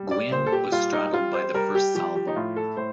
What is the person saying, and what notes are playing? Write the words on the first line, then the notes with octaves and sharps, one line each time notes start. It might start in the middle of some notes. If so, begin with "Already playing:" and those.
"Gwin" was straddled by the first salvo.
Already playing: G3
D5
A#2 C5
A4
G4
G3 F4
D#4
G3 F4
C5
G3 A#4
G4
F3 G4
G4
D#4
A2 F4
A4
A2 C5